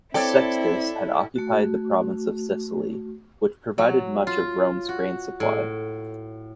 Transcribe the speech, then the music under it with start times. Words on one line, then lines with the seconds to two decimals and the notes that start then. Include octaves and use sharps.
Sextus had occupied the province of Sicily, which provided much of Rome's grain supply.
0.14 C4 E4 A4 C#5 D5 G5
1.36 A3 F#4
3.78 F#3
4.27 F4
4.89 F#4
5.40 A2